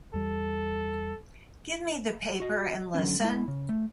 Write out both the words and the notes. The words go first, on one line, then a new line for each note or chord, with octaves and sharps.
Give me the paper and listen.
E2 G3 A4
F#4 D#5
D3 F#3 A#3 C#4 D4
G#3 E4
C#3
A3